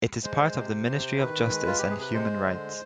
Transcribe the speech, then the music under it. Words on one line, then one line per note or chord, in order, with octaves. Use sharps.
It is part of the Ministry of Justice and Human Rights.
G#3 C5
C3
C3
D#3 B4
G#3
F4
C3 G4
G#4
B4
G#3 C5
D3